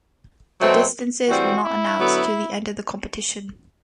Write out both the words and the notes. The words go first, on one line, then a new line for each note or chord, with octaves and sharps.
The distances were not announced until the end of the competition.
B2 F#3 A3 C4
A2 E3 G3 C4 F#4
E4
D3 F#3 B3